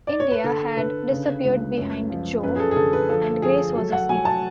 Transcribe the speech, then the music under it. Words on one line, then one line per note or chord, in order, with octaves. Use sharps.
India had disappeared behind Jo, and Grace was asleep.
D5
C#5
B4
D3 A4
D3 B4
C#3
C#2
F#2
F3
F#2 B4
G#4
A4
G#4
D3 A4
B4
F3 A4
F3 G#4
F#3 A4
F#5
F#3 G#5
A5